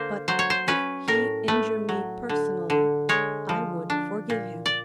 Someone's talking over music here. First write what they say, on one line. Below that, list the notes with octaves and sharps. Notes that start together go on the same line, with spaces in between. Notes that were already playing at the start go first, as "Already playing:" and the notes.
But if he injure me personally, I would forgive him.
Already playing: D3 A#3 C5
F#3 C5
C#5
C5
C#4 B4
A2 A#4
A3 B4
F#3
D3
D3
G#3 C#5
F3
D4
A#2
D5